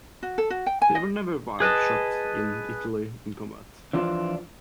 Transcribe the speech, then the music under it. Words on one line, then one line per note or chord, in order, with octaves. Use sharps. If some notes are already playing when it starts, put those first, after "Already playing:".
They were never wired shut in Italy in combat.
F#4
A4
F#4
G5
G#5
D#5
G#4 B4 D#5 A5
E3 F3 D4 F4